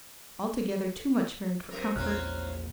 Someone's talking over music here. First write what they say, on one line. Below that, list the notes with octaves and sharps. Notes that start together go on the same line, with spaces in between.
Altogether too much married for comfort.
F#2 C3 A#4
A#1 E2 A#2 C4 C#4 A#5 F6 F#6